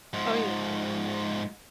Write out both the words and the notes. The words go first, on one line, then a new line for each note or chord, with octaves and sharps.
Oh, yeah.
G#2 F3